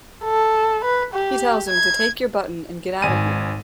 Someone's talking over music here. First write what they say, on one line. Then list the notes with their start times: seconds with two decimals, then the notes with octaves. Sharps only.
He tells him to "take your button and get outta here".
0.24 A4
0.85 B4
1.14 G4
1.69 G#6
3.02 G#1 G#2 G#5 D#7